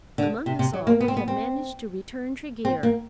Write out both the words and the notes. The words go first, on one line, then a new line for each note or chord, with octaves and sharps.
Among us all we have managed to return Tregear.
D3
C3
C3
F#3
A#3
B3
C4
B3
C4
C4
A#3